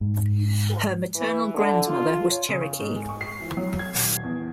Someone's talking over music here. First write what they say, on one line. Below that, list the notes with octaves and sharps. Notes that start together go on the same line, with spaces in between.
Her maternal grandmother was Cherokee.
G#2
E3
D3
F4
C#5
C#3
C#6
G#2
G#3
C#6
C7
E3
F#3
G#6
D#1
E2